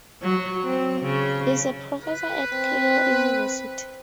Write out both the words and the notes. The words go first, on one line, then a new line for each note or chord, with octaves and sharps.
He is a professor at Keio University.
F#3
C4
C#3
B4
C4